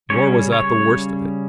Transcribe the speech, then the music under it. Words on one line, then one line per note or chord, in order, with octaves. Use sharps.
Nor was that the worst of it.
C#3 G3 C#4 C#5
C#5